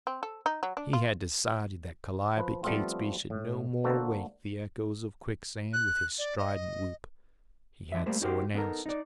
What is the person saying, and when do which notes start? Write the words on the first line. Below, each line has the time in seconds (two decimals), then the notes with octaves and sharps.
He had decided that Calliope Catesby should no more wake the echoes of Quicksand with his strident whoop. He had so announced.
0.07 C4
0.23 A4
0.46 D#4
0.63 F#3
0.77 D4
0.93 F4
2.37 F3 B4
2.63 F3 G3 A3 B3 C4 F4
3.30 A2
3.84 D3 A#3 F#4 A4 C5
5.73 F#6
6.18 D5
6.38 D#5
7.92 F2 F3 E5
8.06 G3 A3 A#3 C5
8.21 D#4 F#4 G4 A#4 C5
8.54 B3 D#4 A4 A#4
8.86 D#4 D5